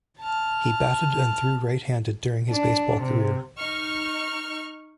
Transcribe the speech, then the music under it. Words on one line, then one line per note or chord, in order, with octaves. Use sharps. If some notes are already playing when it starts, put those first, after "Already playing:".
He batted and threw right-handed during his baseball career.
A5 F6
D4
C3
D#4 C#6 F6